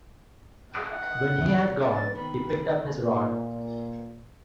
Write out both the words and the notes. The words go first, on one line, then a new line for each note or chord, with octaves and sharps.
When he had gone, he picked up his rod.
F#5
F3 C#4 D4 A6
C3 D#3 B3 B5
A#2